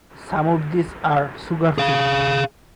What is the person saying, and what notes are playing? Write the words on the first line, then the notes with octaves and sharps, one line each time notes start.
Some of these are sugar free.
G#4 F5